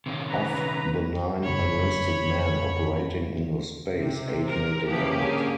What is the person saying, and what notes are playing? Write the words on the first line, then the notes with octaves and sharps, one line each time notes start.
Of the nine enlisted men operating in the space, eight made it out.
C3 D#3 C#4
B4 A#5
F#1 F2 C#3 C#5 B5
F2
C3
A#4
C#3 E3 F3 A#3 C#4 G4
G#2 D3 G#4